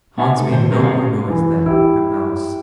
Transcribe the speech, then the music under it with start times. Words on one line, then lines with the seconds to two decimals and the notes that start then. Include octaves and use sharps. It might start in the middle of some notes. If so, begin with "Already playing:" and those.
Hans made no more noise than a mouse.
0.18 B3 D#4 E5 G#5 A5
0.39 A3 D#4 A4
0.50 A2 D#3 C5
0.70 G2 C#4 G#4 A#4 C5
0.83 C#4 G#4 D5 F5
1.30 E3
1.66 E4 G4